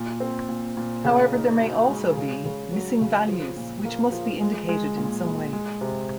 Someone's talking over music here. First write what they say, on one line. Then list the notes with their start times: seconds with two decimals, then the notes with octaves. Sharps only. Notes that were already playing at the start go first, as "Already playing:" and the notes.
However, there may also be "missing values", which must be indicated in some way.
Already playing: A#2
0.20 C4
0.49 A#2
0.77 A#2
1.04 C#3
1.32 D#4
1.60 F#4
1.88 G#3
2.17 C#3
2.45 C#3
2.72 F#3
3.01 C#3
3.28 F3
3.56 A#2
3.85 A#3
4.12 F3
4.41 G#3
4.69 G#3
4.97 A#2
5.24 G#3
5.53 G#3
5.81 C3